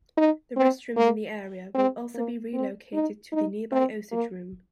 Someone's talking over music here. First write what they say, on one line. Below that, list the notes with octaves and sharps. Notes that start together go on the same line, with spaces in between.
The restrooms in the area will also be relocated to the nearby Osage room.
D#4
C4
A#3
C4
A#3
C4
D#4
D#4
C4
A#3